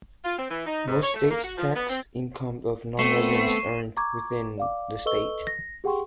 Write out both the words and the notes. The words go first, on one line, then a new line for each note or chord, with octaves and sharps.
Most states tax income of nonresidents earned within the state.
F4
C4
E3
D#4
G#2
C#5
A3
A#3
F#4
F3
B3
C4
A3 B3 C4 C#6 C7 E7
A#5 C#6 D6 G#6
D5 F5 D6
A4 B4 D#5 C#6 E6 G7
A#6
G4 G#4 F#5 G5 C6 C#6